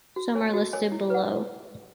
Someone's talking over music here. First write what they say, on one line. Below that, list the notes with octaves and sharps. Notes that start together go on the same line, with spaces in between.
Some are listed below.
F#4
C#5 G#5
F#4
A#4 C#5 G#5
E4
B4 F#5